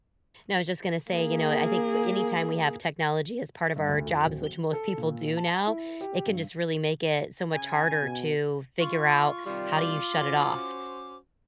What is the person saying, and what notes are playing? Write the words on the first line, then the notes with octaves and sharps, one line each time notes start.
No, I was just gonna say, you know, uh, I think, anytime we have technology as part of our jobs, which most people do now, it can just really make it so much harder to figure out how do you shut it off,
A#3 G#4
G2
D2
F2
D1
G7
A4
A#2
A5
E4
G4
G2
C#3 G#5
B2
F4 C#6
C3 D#3 G3 F4
D6
C#4 F#4 C5